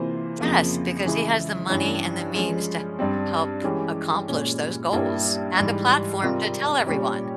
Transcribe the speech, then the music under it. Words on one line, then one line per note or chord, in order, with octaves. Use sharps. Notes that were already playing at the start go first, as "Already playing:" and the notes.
Yes, because he has the money and the means to help accomplish those goals, and the platform to tell everyone.
Already playing: C3 E3 A#3 F4 C5
F2 C#3 F3 A#3 F4
C#3 E3 G#3 E4 G#4
G2 E3 G3 C#4 G4
F3 G#3 C#4
G2 G3 C4
E3 G#3 C#4 G4
A#2 G#3 C#4
G2 G3 A#3 E4 G4
G#2 E3 G3
C3 G3 C4 F4 A#4
A#2 G3 C#4 G4 C#5